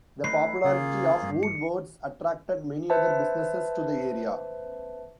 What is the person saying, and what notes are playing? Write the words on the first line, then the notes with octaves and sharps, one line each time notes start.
The popularity of Woodward's attracted many other businesses to the area.
A3 D#4 E4 B4 C7
C#3 A#3 F4 G#4
G2
C#7
B4 C5 E5 A5